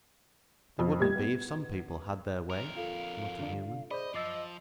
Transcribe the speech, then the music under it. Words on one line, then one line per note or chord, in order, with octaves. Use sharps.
'They wouldn't be, if some people had their way,' muttered Newman.
F2
G3 G#6
B3
F2 A#4
F4 A4 F5
D3 D4
G#4 C5 D5 D#5 B5
F#2 F3 D#5 D6 E6 A6 C7